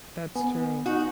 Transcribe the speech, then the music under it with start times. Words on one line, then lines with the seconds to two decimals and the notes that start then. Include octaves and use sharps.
That's true.
0.36 B3 G#5
0.86 D#4 F#4